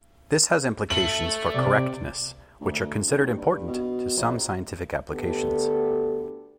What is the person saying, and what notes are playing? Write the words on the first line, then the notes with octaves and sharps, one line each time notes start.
This has implications for correctness which are considered important to some scientific applications.
A3 F#7
C3 D5
D2
D#2
G2
B2
A#1
D2 D3 B3 G4 A4